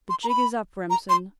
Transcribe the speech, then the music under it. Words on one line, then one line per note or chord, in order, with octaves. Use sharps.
The jig is up, Remsen.
C6
A#5
B5
A#5
C6